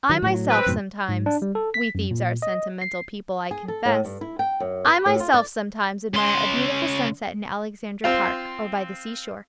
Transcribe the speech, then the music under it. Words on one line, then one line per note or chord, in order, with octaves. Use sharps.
I myself sometimes--we thieves are sentimental people, I confess--I myself sometimes admire a beautiful sunset in Aleksandra Park or by the sea-shore.
D#3 F#3
A2 F#3
C4 B4
F2 G#2 B2
G#2
D4
G3
A4
B6
F#2
A#2
D#5
C7
G#4
A4
A2
G2
E4
G5
F#2
B4
A2
F4
D5
C#3 C6
C4 F4 F5